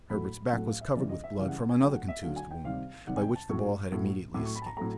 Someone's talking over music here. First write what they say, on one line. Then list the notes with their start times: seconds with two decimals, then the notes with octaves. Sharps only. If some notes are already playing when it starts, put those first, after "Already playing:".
Herberts back was covered with blood from another contused wound, by which the ball had immediately escaped.
0.10 A2 F#3 A3 B5
0.53 A2 F#3 A3 F#5
0.67 F5
0.81 E5
0.95 C#3 E3 G3 D5
1.09 D#5
1.24 E5
1.37 C#3 E3 G3 F5
1.48 F#5
1.59 F#5
1.69 G#5
1.80 D3 F#3 A3 G5
1.94 F#5
2.08 E5
2.22 D3 F#3 A3 F5
2.36 G#5
2.51 G5
2.64 C3 D#3 G3 F5
3.07 C3 D#3 G3 F#5
3.16 G#5
3.22 G5
3.36 A5
3.49 A2 F#3 A3 C#6
3.92 A2 F#3 A3
4.34 A2 F#3 A3 D6
4.45 C#6
4.55 B5
4.62 A5
4.66 A#5
4.77 A2 F#3 A3 A#5